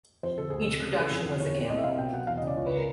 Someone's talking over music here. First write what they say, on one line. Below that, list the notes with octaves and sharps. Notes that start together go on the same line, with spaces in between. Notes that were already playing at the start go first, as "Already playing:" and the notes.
Each production was a gamble.
F2 C5
D3 A4
D2 G#4
A4
C3
C#3
E3 A4
F2 G#4
D3
E2 C#5
C3
D5
C2 D#5
E5
C3 F5
B2 G5
F#3 F#5
E2 F5
D#5
C#3 D5
C#2 C#5
B4
C#3
A#4